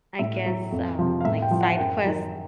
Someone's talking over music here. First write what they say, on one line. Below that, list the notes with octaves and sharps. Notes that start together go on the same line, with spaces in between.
I guess, um, like, side quest
A2 E5
F#3
F2
C3 F3
F5
A2 E5
G5
F3
F#5
F#2 G5
D#3 F#3